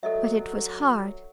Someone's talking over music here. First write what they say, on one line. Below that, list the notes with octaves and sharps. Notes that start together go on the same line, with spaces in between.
But it was hard.
F#3 A4 D#5 E5